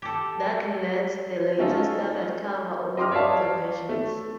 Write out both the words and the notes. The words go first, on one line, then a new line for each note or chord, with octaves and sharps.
That lets the latest standard cover all older versions.
G4 A4
A3 C#4 D#4 F4 A4
D#5 G5 C6 D6 D#6 F6
C#5 D5 E5 F5 A5
A3